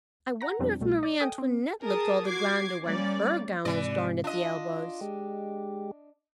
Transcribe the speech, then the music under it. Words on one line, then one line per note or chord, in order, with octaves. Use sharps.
I wonder if Marie Antoinette looked all the grander when her gown was darned at the elbows.
F#5 A#5 A#6
F2 B2 F3 G3 C4 D4
C2 B2 G3 A3
D5
A4 G5 G#5 D#6
C4
G#4 A#4 A5 D#6
F#4 D6 G#6 C7
G3 A#3 C#4 D5
G#2 C3 E3 D5
D4 F4 D#5
G#3 G4